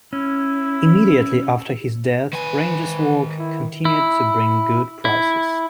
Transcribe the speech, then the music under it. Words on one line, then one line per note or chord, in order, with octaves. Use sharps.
Immediately after his death, Ranger's work continued to bring good prices.
C#4 E4
D#3 B4 G#5
E4
E4
E4